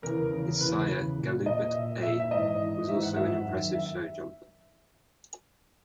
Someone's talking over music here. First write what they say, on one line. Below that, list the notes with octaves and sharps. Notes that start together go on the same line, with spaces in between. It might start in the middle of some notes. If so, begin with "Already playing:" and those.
His sire, Galoubet A, was also an impressive show jumper.
E2 C#3 E3 A#4
E2 C#3 E3
E2 C#3 E3 B4
E2 C#3 E3
A#2
A#2 D#5
A#2 E5
A#2 E5
E5
G#2 E3 D#5
G#2 E3
G#2 E3 E5
F#5
G#2 E3 E5
F#2 D#3
E5